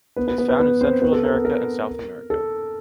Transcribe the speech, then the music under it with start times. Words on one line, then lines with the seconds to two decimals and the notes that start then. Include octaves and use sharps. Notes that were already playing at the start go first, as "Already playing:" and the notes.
It is found in Central America and South America.
0.16 B3 B4
0.27 B3 B4
0.38 B3 B4
0.48 B3 B4
0.59 B3 B4
0.81 C4 C5
1.02 B3 B4
1.13 A4
1.24 A#4
1.33 B3 B4
1.45 A#4
2.30 A4